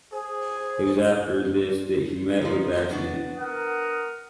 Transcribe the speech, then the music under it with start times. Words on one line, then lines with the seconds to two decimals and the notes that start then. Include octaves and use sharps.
It was after this that he met with the accident.
0.12 G#4 C5
2.41 F3 D#4
2.89 B3 D4 F#4
3.38 A#4 F#5 D#6